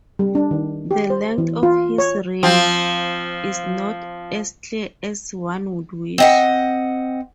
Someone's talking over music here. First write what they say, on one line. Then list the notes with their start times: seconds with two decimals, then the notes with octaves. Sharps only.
The length of his reign is not as clear as one would wish.
0.19 G3
0.35 D4
0.51 D#3
0.91 G4
1.10 C5
1.38 E3
1.63 F4
1.98 C#5
2.43 F3 C4
6.18 C4 D#5 F#5